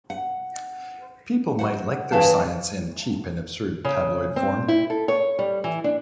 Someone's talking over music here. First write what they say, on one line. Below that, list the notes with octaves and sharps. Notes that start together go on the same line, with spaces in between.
People might like their science in cheap and absurd tabloid form.
F#5
F#4 C5 F#5
G2 C#3 E3 F5 G5 A5
C#3
C4
E4
A4
C#5
G3
E3
D4